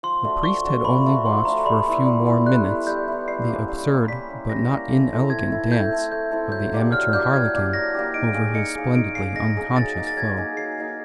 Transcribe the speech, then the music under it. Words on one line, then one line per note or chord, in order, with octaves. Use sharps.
The priest had only watched for a few more minutes the absurd but not inelegant dance of the amateur harlequin over his splendidly unconscious foe.
F3 C6
A3 D4 F#4
F3 C#6
A3 D4 F#4
F3 B5
A3 D4 F#4
F3 C6
A3 D4 F#4 A#5
G3 B5
B3 E4
G3
B3 E4
G3 F#6
B3 E4
G3 G6
B3 E4
G3 C7
A#3 C#4
G3
A#3 C#4
G3 B6
A#3 C#4
G3 A#6
A#3 C#4
A3
C4 E4 A4
A3 G#6
C4 E4 A4
A3 G6
C4 E4 A4
A3 G6
C4 E4 A4
F#3 G6
A#3 D4 G4
F#3 F6
A#3 D4 G4 G6
F#3 G#6
A#3 D4 G4
F#3 A#6
A#3 D4 G4
D#4 D7
G#4 C#5 F5
D#4 C#7
G#4 C#5 F5
D#4 D7
G#4 C#5 F5 C7
D#4 A#6
G#4 C#5 F5
F#3 A6
A#3 D#4 G#4
A6
F#3 G#6
A#3 D#4 G#4
F#3 C7
A#3 D#4 G#4